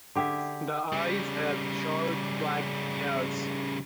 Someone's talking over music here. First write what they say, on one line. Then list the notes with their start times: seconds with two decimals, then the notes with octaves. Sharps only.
The eyes have short black hairs.
0.15 D3 G4 G#4 E5
0.93 C#3 G3